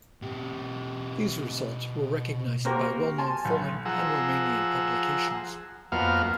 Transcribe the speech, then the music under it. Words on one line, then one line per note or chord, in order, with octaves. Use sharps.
These results were recognized by well-known foreign and Romanian publications.
B2 G4
A#3 C4 F#4 G4 A#4
G#5 A5 C6
B1
F3 G#4 F#5 A#5 E6
F2 A#3 B3 F#4 F5 F6